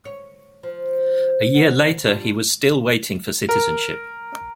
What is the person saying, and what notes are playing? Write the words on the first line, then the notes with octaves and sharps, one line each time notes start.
A year later he was still waiting for citizenship.
C#5
F3
B3
G3 D4 F4
A#4